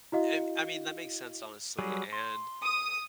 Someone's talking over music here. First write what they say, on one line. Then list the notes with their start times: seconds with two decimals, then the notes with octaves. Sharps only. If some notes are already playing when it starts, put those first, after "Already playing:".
And, I mean, that makes sense, honestly, and,
0.12 E4 F#4 D#5 F5
1.79 F#3 G3 G#4
2.13 C6
2.62 D#6